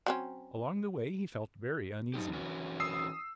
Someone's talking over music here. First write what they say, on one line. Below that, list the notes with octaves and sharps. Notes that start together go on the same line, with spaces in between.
Along the way he felt very uneasy.
F#3 C4 C#4
F#3 D#4 G4
E3 C#4 F#4
D#6 E6 C7